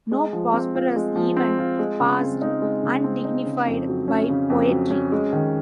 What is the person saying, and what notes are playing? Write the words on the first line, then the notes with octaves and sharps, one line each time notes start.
No prosperous event passed undignified by poetry.
G#3
F3
C4
F4
G#3
F3
C4
F4
G#3
C#3
C4
D#4
G#3
C#3
C4
D#4
C#3
F2
F#3
C#4
C#3
F2
F#3
C#4
G#3
D#3